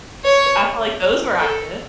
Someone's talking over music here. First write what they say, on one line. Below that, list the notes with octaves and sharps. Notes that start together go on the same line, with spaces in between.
I feel like those were active.
C#5
A4